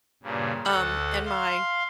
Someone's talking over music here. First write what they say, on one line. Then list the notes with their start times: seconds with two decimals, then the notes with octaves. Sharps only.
um, and my
0.23 G2 A#2 C#3
0.65 D2 A4 F#5
1.26 F5 C6